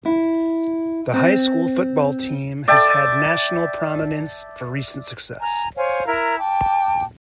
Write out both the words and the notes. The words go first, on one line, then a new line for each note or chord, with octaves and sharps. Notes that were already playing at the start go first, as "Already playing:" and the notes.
The high school football team has had national prominence for recent success.
E4
C4
D5 E5 G5 A5
G#5 A#5
C5 C#5 F5 G#5
E4 A#4 A#5
G5 A5 D6